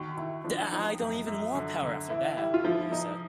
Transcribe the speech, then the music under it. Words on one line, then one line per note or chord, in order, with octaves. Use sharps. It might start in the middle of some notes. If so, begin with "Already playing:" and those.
"I don't even want power after that," he said.
Already playing: D#2 F#4
D#2 E4
F3 D4
F3 D#4
F#2
F#2
D3
D3
E3 E4
G3 E4
F4
F3 E4
E4
F3 D#4